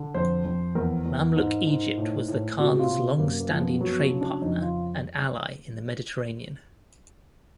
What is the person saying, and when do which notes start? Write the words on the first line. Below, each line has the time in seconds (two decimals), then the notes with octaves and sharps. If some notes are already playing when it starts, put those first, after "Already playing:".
Mamluk Egypt was the Khans' long-standing trade partner and ally in the Mediterranean.
Already playing: D3
0.14 F2 C5
0.45 F2
0.75 E2 A#4
1.06 E2
1.36 G#2
1.67 G#2
1.97 A2
2.28 A2
2.59 C3 F#4
2.79 F4
2.89 C3
3.19 F#2 A#3
3.40 A#3
3.50 F3
3.60 B3
3.81 F#3 B3
4.11 C#3
4.21 D4
4.42 F2 D#4
4.62 F4